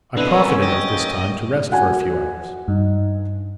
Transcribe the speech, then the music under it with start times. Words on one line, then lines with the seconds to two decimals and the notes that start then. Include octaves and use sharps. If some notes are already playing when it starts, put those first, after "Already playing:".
I profited of this time to rest for a few hours.
0.17 B2 D3 B3 C4 D4 E4 B4 D#5
0.34 C#4 A#4 B4 G#5 E6
0.63 D#5 G5 A6
0.93 A#3
1.72 F#4 F#5 G#5
2.68 G2 D#4